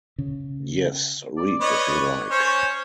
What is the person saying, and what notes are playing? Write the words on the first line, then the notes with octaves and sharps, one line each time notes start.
Yes, read if you like.
C#3
D5
B4 C#5 D#5
C#4 C5 C#5